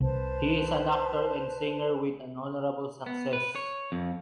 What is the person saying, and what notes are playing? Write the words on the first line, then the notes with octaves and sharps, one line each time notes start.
He is an actor and singer with an honorable success.
C2 B4 C5 A5
B3
B4
C#5
F2